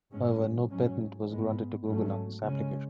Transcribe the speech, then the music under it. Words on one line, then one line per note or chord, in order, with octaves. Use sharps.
However, no patent was granted to Google on this application.
G#2 G#3 C#4
G#2 F#3 C#4
G#2 G#3 B3
G#2 F#3 A3 C#4
C#3 G#3 C#4